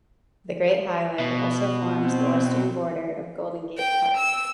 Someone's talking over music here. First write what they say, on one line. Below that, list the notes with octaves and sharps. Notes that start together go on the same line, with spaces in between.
The Great Highway also forms the western border of Golden Gate Park.
B2
C4
G5
E6